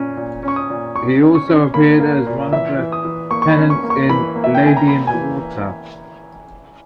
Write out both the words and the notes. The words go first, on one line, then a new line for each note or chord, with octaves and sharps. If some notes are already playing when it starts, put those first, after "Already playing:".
He also appeared as one of the tenants in "Lady in the Water".
Already playing: A#2 C#4
A#2
C#4
C#6
D#6
A#2
A#2 C#6
C#4
C#6
C#4
A#3 B5
A#3
A#2
E3 E5
E3
D#6
E3
A#3 C#6
C#6
B5
C#4
C#6
A#3
C#6
E3 B5
A#3
E5
G5
C#4 G#5
A#5
A#3 B5
G#5
E3